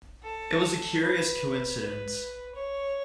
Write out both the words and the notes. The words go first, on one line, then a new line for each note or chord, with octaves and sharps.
It was a curious coincidence.
A4
B4
B4
C#5